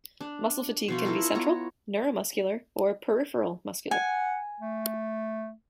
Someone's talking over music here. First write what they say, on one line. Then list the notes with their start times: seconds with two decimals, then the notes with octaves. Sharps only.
Muscle fatigue can be central, neuromuscular, or peripheral muscular.
0.21 D4
0.88 B2 F3 F4
1.05 E4 F4 A4 A#4
1.35 B3 C#5 A#5
3.91 F#5 G#5
4.60 A3